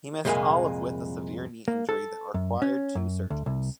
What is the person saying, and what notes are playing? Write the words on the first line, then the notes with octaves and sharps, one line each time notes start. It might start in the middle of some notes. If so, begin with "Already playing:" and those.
He missed all of with a severe knee injury that required two surgeries.
C2 F2 A#2 G#3 A#3
A#3
A4
F#2
C#4
F#2
D2
C2